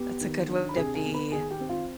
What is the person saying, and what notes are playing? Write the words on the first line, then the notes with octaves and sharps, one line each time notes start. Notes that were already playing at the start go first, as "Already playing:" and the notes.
that's a good way to be,
Already playing: B3 G4
D#3
D4
B5
C3 G#4 G#5
G#4 G#5
B3
B4 B5
D#3 G#4 G#5
G4 G5
C4
F4 F5